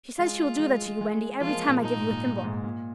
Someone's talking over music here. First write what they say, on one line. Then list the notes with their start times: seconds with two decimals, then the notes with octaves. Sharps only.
"She says she will do that to you, Wendy, every time I give you a thimble."
0.18 G#3 F4
0.59 G#3
0.86 G#3
1.01 G#3
1.41 F3 F4
1.49 A#3
1.54 G#3
1.68 A#2
1.82 A#2 D#4
1.95 G#2
2.10 A#2
2.23 A#2
2.44 G#2
2.64 A#2